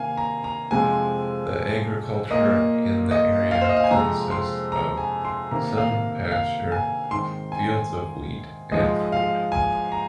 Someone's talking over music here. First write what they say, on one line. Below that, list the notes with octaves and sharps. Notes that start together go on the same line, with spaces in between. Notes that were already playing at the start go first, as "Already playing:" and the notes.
The agriculture in the area consists of some pasture, fields of wheat and fruit.
Already playing: C3 D#3 A#3 F5 G#5
A#5
A#5
F2 C3 F3 G#3 C4 G#5
A#2 A#3 D#5
D#5
F5
C5
D#5
F5
G#5
F2 C3 G#3 C4 A#5
C6
A#5
G#5
C6
C3 D#3 A#3 A#5
F5
F5
G#5
G#2 D#3 C4 C6
G#5
G#2 F3 G#3 D#5
F5
G#5
A#5